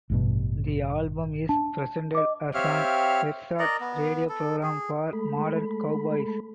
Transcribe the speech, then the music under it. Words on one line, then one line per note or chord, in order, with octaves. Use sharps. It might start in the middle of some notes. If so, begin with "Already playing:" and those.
The album is presented as an ersatz radio program for modern cowboys.
A1 G2 B2
D4 A5
D#5 D6
C4 G4 C#5 E5 F5 F6
A#4 D5 D#5 A#5
B3
A4
G#4
G#3 A3 A4 B5